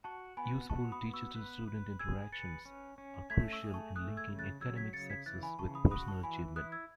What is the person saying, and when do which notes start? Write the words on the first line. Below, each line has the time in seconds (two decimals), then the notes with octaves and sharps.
Useful teacher-to-student interactions are crucial in linking academic success with personal achievement.
0.04 F#4 A5 C#6
0.37 B3 G#5 B5
0.69 F#4 A5 C#6
0.92 B5 D#6
1.02 B3
1.13 C#6 E6
1.35 B4
1.68 B4
1.99 G#4 E6 G#6
2.32 B4 A6 C#7
2.66 C#4
2.98 C#4
3.30 A3 G#6 B6
3.53 C#6 E6
3.63 G#4
3.74 A5 C#6
3.95 A3 D#6 F#6
4.17 E6 G#6
4.28 C#3
4.39 F#6 A6
4.61 F#3 E6 G#6
4.77 G#6 B6
4.93 C#3 A6 C#7
5.10 G#6 B6
5.26 E3 F#6 A6
5.43 G#5 B5
5.59 C#3 A5 C#6
5.75 B5 D#6
5.91 F#4 B5 D#6
6.08 A5 C#6
6.23 E3 G#5 B5
6.56 E4 D#6 F#6
6.72 E6 G#6